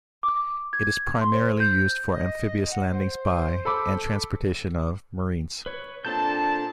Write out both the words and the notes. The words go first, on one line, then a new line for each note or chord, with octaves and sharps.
It is primarily used for amphibious landings by, and transportation of, marines.
D6
G#6
C6
C5
G6
D#5
F#5
C5
A4 B5 D6
B4 C#5
A#2 C4 D4 A4 A5 G6